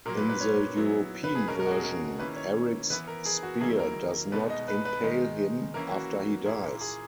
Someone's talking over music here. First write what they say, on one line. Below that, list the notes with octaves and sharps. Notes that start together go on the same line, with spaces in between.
In the European version, Eric's spear does not impale him after he dies.
A#2 F#3 A#3 A#4
B4
B4
C#5
F#3 B3 E4
B4
G#4
B2 G#3 C#4 A#4
A#4
F#4
G#4
A#4
D#3 A#3 C#4 E4 B4
C#5
E3 B3 E4 B4
A#4
G#4
F#4
D#3 F#3 A#3 E4 G#4
A#4
B2 G#3 B3 D#4 B4
D#5
B4
B4
D#3 G#3 D#4
E3 A#3 C#4 E4 A#4
F#4
A#2 A#3 E4 G#4
G#4